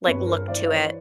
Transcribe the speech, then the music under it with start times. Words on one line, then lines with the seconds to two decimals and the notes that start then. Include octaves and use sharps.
like, look to it,
0.05 G2 B4 C#5
0.26 A#4 C5
0.48 E3 C5 D5
0.65 D5
0.69 B4 C#5